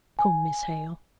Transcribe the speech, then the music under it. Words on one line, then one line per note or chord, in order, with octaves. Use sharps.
'Come, Miss Hale.
G#5